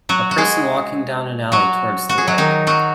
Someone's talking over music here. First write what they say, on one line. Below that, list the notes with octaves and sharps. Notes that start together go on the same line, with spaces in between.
A person walking down an alley towards the light.
F#3 F#4
F#4
G#3 G#4
F#3 F#4
F#4
G#4
F#3 F#4
D#3 D#4
F#3 F#4